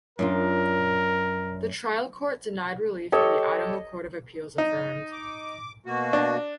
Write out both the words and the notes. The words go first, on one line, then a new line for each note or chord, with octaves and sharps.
The trial court denied relief and the Idaho Court of Appeals affirmed.
F#2 D4 F4 A#4
G4 A4 C#5 D#5
D#4
D6
B2 A#3 F#4
D4